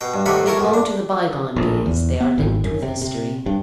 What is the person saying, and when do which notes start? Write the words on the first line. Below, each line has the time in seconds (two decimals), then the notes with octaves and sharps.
They belong to the bygone days, they are linked with history.
0.01 B2 G5
0.14 G2
0.26 D#2 C3 A3 A#3 F#5 B5
0.46 E4 A#4 C#5 A5
0.59 B1 F#2
0.74 D4
1.56 A#1
1.86 E2
2.20 B3
2.38 G#1
2.64 F#2
2.82 C3
3.02 C3
3.46 G2